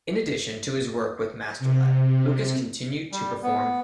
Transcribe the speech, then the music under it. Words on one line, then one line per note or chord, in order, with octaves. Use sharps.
In addition to his work with Masterlab, Lucas continued to perform.
C3
G3
B3